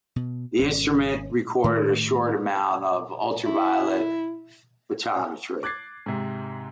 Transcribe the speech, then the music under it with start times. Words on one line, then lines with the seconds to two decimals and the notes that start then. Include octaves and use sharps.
The instrument recorded a short amount of ultraviolet photometry.
0.16 B2
0.59 G#1 B2 C#4
1.64 A2 D#3 A3
3.45 E4
5.63 D6 F#6 G#6 A6 C7
6.06 G#2 C3